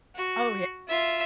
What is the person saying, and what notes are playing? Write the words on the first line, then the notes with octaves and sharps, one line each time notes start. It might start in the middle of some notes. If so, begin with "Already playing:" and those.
Oh ye
F#4
F4 E5